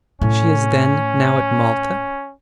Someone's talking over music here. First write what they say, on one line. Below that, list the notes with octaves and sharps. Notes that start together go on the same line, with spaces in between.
"She is, then, now at Malta?"
A2 A3 C#4